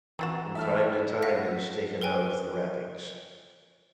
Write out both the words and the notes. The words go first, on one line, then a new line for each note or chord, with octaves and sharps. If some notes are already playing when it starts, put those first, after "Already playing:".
From time to time it is taken out of the wrappings.
E3 C4 F4 F#4 A#5 A6 E7
A2 E5 A5 F6
F5 F#5 A#6 B6
A#4 B4 G5 G#5